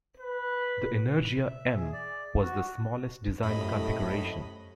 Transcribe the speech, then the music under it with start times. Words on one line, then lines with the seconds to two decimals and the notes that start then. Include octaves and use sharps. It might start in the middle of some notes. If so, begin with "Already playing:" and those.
The Energia M was the smallest design configuration.
0.20 B4
1.45 E5
1.76 G#4
1.93 D5
2.41 F#4
3.43 F#2 A2 C3 A3 D#5 B5